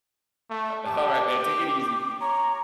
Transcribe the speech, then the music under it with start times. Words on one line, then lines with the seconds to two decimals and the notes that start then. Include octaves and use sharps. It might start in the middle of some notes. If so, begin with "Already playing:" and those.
Uh, alright, man, take it easy.
0.50 A3
0.86 G4 A5
1.30 D6
2.21 C#5 A#5